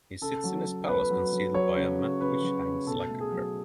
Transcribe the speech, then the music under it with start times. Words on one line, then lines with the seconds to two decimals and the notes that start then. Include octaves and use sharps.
He sits in his palace concealed by a mat which hangs like a curtain.
0.21 C#3 A4
0.44 F#3
0.66 F#3
0.88 B3 B4
1.10 F#3
1.32 F#3
1.54 F#3 C#5
1.76 C#3
1.99 C#3
2.21 C#3 B4
2.42 F#3
2.65 C#3
2.87 B2 A4
3.09 A3
3.20 G#4
3.31 F#3